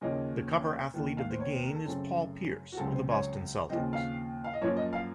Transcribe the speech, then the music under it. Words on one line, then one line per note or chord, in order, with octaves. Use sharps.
The cover athlete of the game is Paul Pierce of the Boston Celtics.
D#2 C#3 F3 A#3 C#4 D#5
D#2 D#3 A3
F5
C5
C#5
C5
A#4
A4
F#2 C#3 A3 C4 A4
F#4
C#2 C#3 F#3 C4 A4
C5
C#5
D#2 C#3 F3 C4 D#5
F5
F5
D#5
F#2 F3 A#3 C#5
D#5
F5